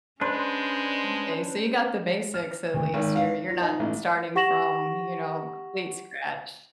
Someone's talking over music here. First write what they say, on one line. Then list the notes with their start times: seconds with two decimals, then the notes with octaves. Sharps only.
M’kay, so you got the basics at least, you're you're not starting from, you know, complete scratch.
0.21 G#3 C#4 D4 B4 C5
2.34 F6
2.74 D2
2.93 G#1
3.15 F5
3.49 F4
3.61 D#4
3.79 A1
4.35 G4 F#5 C#6 A#6 E7 F#7